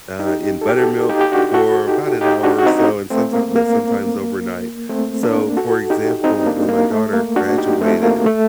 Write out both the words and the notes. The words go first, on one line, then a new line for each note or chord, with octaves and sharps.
uh, in buttermilk for about an hour or so, and sometime but sometimes overnight. So, for example, when my daughter graduated,
D#4 G4
A4
G4
F#4 A4
D#4 G4
G4
D4 F#4
F#4 A4
D#4 G4
D#4 G4
D4 F#4
F#4
C4 D#4
A3 C4
A#3
A#3
A3 C4
A#3 D4
F#4 A4
D#4 G4
C4 D#4
A#3 D4
A#3
A3
A#3
D4 F#4
D#4 G4
A3 C4
A#3
A3